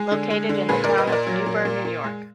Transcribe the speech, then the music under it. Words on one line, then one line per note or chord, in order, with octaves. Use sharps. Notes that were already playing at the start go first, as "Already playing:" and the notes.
Located in the Town of Newburgh, New York.
Already playing: G#3 G#4
D3
G#3
D3
A#2 G#4 B4
A#2 A#4 D5
B4 D#5
A#2
A#4 D5
F#3
A#2
A#2
A#2
G#3